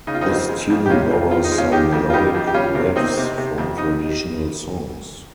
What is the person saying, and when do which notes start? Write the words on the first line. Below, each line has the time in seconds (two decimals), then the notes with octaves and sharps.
This tune borrows some melodic riffs from traditional songs.
0.07 C#3 D#4
0.15 F4
0.21 C4 D#4
0.28 F2
0.49 G#3
0.70 F2
0.86 G4
0.90 C3 C#4 F4
1.11 F2
1.31 F3 F4
1.44 D#4
1.52 G#3
1.58 C#4 F4
1.72 D#3 D#4 G4
1.92 F2
2.10 F4
2.13 G3 D#4 G4
2.35 F2
2.47 G4
2.54 G3 C#4 F4
2.75 C3
2.95 A#3 C4 D#4
3.17 C3
3.38 C3
3.58 F2
3.78 D#4